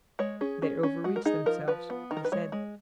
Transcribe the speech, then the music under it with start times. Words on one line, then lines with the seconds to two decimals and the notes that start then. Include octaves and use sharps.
"They overreached themselves," he said.
0.19 G#3 C#5
0.41 C#4 G#4
0.62 C#4
0.83 C#4
1.04 G#3 F#4
1.16 A#4
1.26 D#4 G#4
1.46 F3 A#4
1.68 F3 B4
1.90 B3
2.11 D#3
2.17 A#4
2.25 B4
2.32 G#3 C#5
2.52 G#3